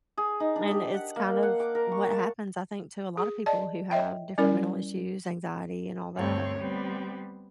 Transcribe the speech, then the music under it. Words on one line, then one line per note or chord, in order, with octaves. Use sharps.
and it's kind of what happens, I think, to a lotta people who have different mental issues anxiety, and all that,
G#4
D#4
D4
G4
F#5
A#3
F#5
D6
A#4
C#6
A5
G#4
D5 D#5 A5
C#5 D#5 E5 G5
G3 C#4 E4 A#4 D5
D2 G2 A3 C4 C#5
G3 B3 C4